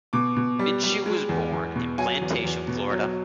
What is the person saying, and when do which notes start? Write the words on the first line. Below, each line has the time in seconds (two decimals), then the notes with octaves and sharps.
Minshew was born in Plantation, Florida.
0.13 B2 D6
0.36 B2
0.59 G3
0.83 G3
1.06 G#3
1.29 E2
1.52 E2
1.76 B2
1.98 F#3 G#5
2.21 E2
2.44 E2
2.68 B2
2.91 F#3